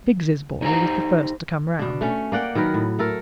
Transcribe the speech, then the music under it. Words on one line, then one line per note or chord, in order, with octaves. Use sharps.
Biggs's boy was the first to come round.
D#4 G4 C5 G#5 A#5
B2 D4
A3 C#4
A#3 D5 F#5 G5
D#3 F#3 A#4 B4
A2
A3 A4 A#4